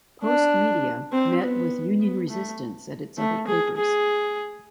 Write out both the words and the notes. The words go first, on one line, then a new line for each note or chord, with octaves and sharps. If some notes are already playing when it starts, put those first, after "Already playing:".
Postmedia met with union-resistance at its other papers.
D4
C4
B3
B3
A3
A3
G#4
G#4